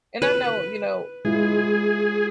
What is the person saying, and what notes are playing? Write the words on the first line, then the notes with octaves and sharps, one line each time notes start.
And I know, you know
B4
G#3 E4 F4 G#4